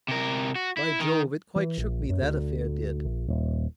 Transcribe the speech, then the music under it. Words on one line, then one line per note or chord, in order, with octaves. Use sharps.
By Jove! it quite shook me, that affair did.
C3 A#4
F#4
E4
D#3
E3
A#1
F#2
D2
A#1
D#1